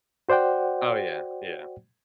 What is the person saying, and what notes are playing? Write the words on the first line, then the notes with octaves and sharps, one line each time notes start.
Oh, yeah. Yeah.
F#4 C5 D5 F#5 G5